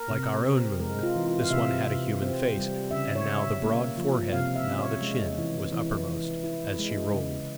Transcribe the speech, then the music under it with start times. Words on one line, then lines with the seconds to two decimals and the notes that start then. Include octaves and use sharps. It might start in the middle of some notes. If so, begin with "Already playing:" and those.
Like our own moon, this one had a human face, and now the broad forehead now the chin was uppermost as she rolled.
Already playing: A#4
0.10 C3
0.45 C4
0.80 G#3 A#4
1.03 F4
1.16 E3
1.27 F4
1.43 F5
1.50 C3 E5
1.86 C3
2.22 C4
2.57 G3
2.91 C#3 E5
3.15 C#5
3.26 C#3
3.38 E5
3.62 A#3
3.98 F3
4.32 C3 F5
4.55 E5
4.68 C#4
4.79 C#5
5.02 G#3
5.38 E3
5.73 E3
6.08 E3
6.44 E4
6.79 G#3
7.14 C#3